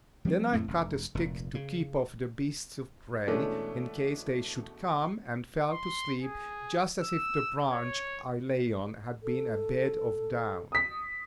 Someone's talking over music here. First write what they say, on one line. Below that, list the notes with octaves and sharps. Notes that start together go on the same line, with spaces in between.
Then I cut a stick to keep off the beasts of prey, in case they should come, and fell to sleep just as if the branch I lay on had been a bed of down.
F3 G3 A3 C4
F2 A2 A3 C4
F1
F1 A#2
C#3
B2 E3 G#3 A3 C#4 D4
C6
G#4
E6
C#5
A4
D#6 B6